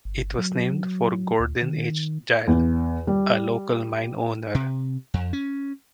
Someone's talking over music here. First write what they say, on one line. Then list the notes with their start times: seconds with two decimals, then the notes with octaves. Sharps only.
It was named for Gordon H. Gile, a local mine owner.
0.05 G1
0.38 F#3
1.40 D2
1.62 D#3
2.47 E2
3.07 G3
4.55 C3
5.14 F2
5.33 C#4